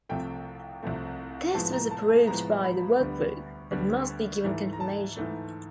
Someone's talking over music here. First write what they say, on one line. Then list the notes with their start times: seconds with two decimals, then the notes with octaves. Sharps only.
This was approved by the work group, but must be given confirmation.
0.09 C2 C3 F3 A3 G5
0.83 C2 C3 F3 A3
1.54 A2 F3 G#3 B3 A5
1.73 A#5
1.91 A5
2.09 A5
2.27 A2 F3 G#3 B3 A#5
2.64 B5
3.00 D2 D3 G3 B3
3.71 D2 D3 G3 B3
4.44 G#2 E3 A3
4.73 A#5
4.80 A5
5.17 G#2 E3 A3